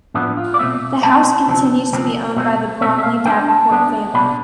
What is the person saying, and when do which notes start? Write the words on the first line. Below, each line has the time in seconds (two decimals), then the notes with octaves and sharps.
The house continues to be owned by the Bromley-Davenport family.
0.14 A2 F3 B3 D4 E4
0.37 F4
0.54 D5
0.59 B2 A3 C4 E5
1.03 B2 A3 C4 A5
1.48 D2 C3 F3 C4
1.93 D2 C3 F3 C4
2.36 B2 A3 C4
2.81 B2 A3 C4 E5
2.98 E5
3.03 F5
3.25 D2 D3 G3 B3 D4 G5
3.48 A5
3.71 D2 D3 G3 B3 D4
4.14 C2 B2 A3 D4 B5